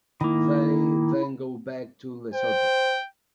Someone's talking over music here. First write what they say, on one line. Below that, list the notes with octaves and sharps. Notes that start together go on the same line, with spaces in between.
They then go back to Lesotho.
D#3 A#3 E4
C5 G5